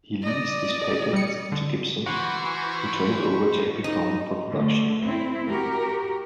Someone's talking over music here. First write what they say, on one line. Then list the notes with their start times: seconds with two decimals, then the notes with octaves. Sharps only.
He leased his patent to Gibson, who turned it over to Epiphone for production.
0.22 D5 D#5
1.13 G3 C#7
1.52 D3
2.06 E3 F#4 C5 B5 C#6
3.84 D#4
4.50 D3 A3
5.02 C4 E4
5.47 F#4 G4 A#4